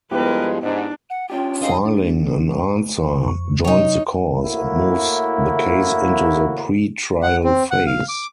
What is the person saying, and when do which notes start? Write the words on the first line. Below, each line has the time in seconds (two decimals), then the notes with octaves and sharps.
Filing an answer "joins the cause" and moves the case into the pre-trial phase.
0.11 G2 F3 G#3 B3 E4 G4 A#4 B4
0.63 G#2 D4
1.10 F#5
1.30 C#4 D4 F4 G4 G5
1.61 C4 D#4 G#4 F5
1.85 D4
3.24 F2 C#6
3.64 C3 F#3 D#4 C#5 C#6
4.44 A2 A#3 E4 F#4
7.23 F#5
7.44 C4
7.71 F#5
7.87 F5
8.09 D6